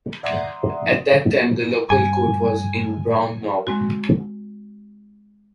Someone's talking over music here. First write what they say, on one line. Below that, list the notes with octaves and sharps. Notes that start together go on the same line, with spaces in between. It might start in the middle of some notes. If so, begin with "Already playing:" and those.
At that time, the local court was in Braunau.
D5 E5 F#5 A#5 C6 D#6
G2 G#5
G#3 C4 F#4